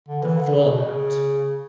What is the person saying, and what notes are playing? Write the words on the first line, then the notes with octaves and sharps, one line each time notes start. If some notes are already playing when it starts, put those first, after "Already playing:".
the fallout.
D3
E3
D3
C#3
B2
C#3